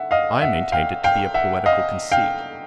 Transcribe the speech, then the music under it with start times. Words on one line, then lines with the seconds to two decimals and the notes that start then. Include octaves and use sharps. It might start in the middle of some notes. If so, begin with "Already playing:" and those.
I maintained it to be a poetical conceit.
Already playing: E5 F#5
0.11 D#5 F5
0.42 E5 F#5
0.72 F5 G5
1.04 F5 G5
1.34 E5 F#5
1.66 D#5 F5
2.12 F5 G5